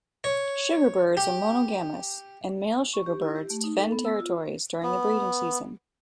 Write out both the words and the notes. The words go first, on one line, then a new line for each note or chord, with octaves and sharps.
Sugarbirds are monogamous, and male sugarbirds defend territories during the breeding season.
C#5
G4
C#6
G4
E4
G4
A3
D#4
A4
B3
E6
F4
B3